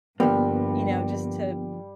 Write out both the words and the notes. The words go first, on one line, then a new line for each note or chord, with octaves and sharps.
You know, just to
G2 D3 F3 G3 A#3 B3